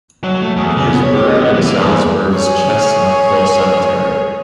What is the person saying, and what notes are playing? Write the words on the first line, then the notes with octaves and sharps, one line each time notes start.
He is buried in Salisbury's Chestnut Hill Cemetery.
F#3
A3
E2
C#3
B3
C#5
G4
D#5
B3
E3
A#3
E2
G#4 C#5